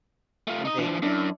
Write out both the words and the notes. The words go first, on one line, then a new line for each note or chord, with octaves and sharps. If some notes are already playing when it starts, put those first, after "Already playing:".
from day to day.
A3 F4
D#4 D#5
E3 F3 D4
F#2 D4 E4